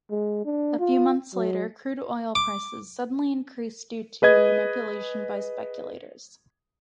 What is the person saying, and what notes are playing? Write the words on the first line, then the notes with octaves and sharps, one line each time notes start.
A few months later, crude oil prices suddenly increased due to manipulation by speculators.
G#3
D4
F4
F#3
D6
G#4 B4 D#5 G#6